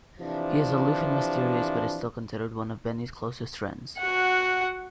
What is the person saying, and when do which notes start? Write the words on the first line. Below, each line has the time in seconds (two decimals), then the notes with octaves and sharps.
He is aloof and mysterious but is still considered one of Benny's closest friends.
0.20 C3 E3 F3 D4
3.99 F#4 F#5